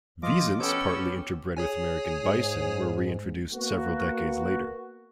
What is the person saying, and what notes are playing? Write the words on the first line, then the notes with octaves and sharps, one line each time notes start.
Wisents partly interbred with American bison were reintroduced several decades later.
F3 F4 D#5 D6
B3 C#4 G4 A4 C#5 E6 D7
G#4 C#5 G#5
G#2
A#3 B3 F#4